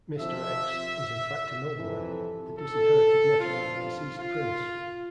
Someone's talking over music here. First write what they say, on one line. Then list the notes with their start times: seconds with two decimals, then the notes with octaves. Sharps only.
"Mister X" is in fact a nobleman, the disinherited nephew of a deceased prince.
0.18 F2 C3 F3 E5
1.78 F2 C3 E3 A4
2.59 A4
3.39 G2 F3 C4 F4
3.78 F4
4.19 F4